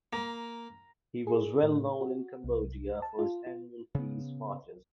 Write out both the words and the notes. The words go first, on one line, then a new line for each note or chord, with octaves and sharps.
He was well known in Cambodia for his annual peace marches.
A#3 A#5
G#4
A2
F#4
C2
A5
F4
F4
C#3 B3